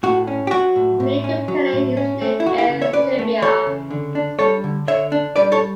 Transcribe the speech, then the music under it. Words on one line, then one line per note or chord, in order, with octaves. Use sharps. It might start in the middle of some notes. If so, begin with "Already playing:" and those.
The new company is named Air Serbia.
A2 F#4
C#4
G4
F#3 F#4
A2
A2
C#4
F#3
A2
C#4
A3
E4
E3 F#4
E4 G4
C#3
C#5 E5
C#4 B4 D5
A3
E3 A4 C#5
C#3
D3
D4
G3 A4 C#5
D3
D3 C#5 E5
D4
G3 B4 D5
A4 C#5